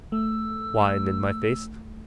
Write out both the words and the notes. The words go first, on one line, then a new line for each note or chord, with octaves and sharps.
Wine in my face.
A3 E6